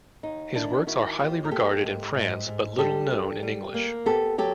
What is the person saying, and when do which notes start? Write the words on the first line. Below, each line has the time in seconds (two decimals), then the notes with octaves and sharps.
His works are highly regarded in France but little known in English.
0.23 D#2 D#4
0.55 D#3 D4 E4
0.87 D#3 E4 F#4
1.19 D#2 F4 G4
1.45 A#4
1.51 A#3 G4 A4
1.83 G#2
2.14 G#2
2.47 G#2
2.78 G3 G4 A4
3.11 D4
3.43 G3
3.74 A#3
4.06 B3 G4 A4
4.38 F#3 G4 A4